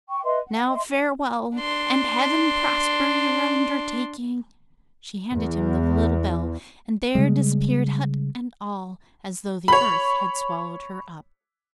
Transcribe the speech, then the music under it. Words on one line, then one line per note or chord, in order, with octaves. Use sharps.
Now farewell, and heaven prosper your undertaking.' She handed him the little bell, and there disappeared hut and all, as though the earth had swallowed her up.
G5 C#6
B4 D#5 E5 C6
F#5
D#5 E5 C6
D4 C6
E2
C#3 G3 G#3
C#5 B5